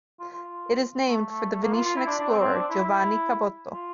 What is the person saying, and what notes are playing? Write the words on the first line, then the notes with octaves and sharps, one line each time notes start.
It is named for the Venetian explorer Giovanni Caboto.
F4
F4
A3
A3
A3
A#3
F4
F4
E4
D4
D4
C4
C4
D4
E4
E4
F4